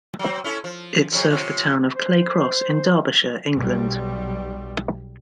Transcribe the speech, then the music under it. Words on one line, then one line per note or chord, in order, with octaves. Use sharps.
It served the town of Clay Cross in Derbyshire, England.
F#3 C4
C#4 E4 A4
F3
F2 C#3 F#3
C3 C#4 F4
C5
B1 G3